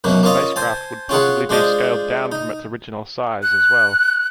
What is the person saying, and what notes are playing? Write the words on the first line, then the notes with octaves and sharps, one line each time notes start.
The spacecraft would possibly be scaled down from its original size as well.
F#2 B2 F#3 A#3
A#3 C#4 F4 D#5 A#5
C5 G#5 A5
C#4 F4 G#4 F#5
G#3 D4 F4 C5 D#5
D#4
F#6